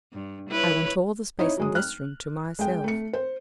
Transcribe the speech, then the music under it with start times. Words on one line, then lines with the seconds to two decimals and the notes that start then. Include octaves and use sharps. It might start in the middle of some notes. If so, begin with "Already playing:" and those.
I want all the space in this room to myself!
0.13 G2
0.50 E4 B4 C#5
1.39 D#4 E4 C#5
1.57 F#3 G#3 D#6
1.75 F6 F#6
2.59 G#3 G5
2.84 A3 C#7
3.13 C5